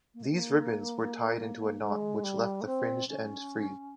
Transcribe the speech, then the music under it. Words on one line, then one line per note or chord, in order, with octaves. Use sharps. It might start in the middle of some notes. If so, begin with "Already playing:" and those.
These ribbons were tied into a knot which left the fringed end free.
A#3
G#3
A#3
G#3
G3
A#3
C4
C#4